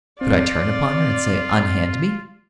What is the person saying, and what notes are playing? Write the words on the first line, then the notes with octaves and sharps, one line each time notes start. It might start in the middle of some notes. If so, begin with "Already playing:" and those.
Could I turn upon her and say "Unhand me"?
C4 F4 D5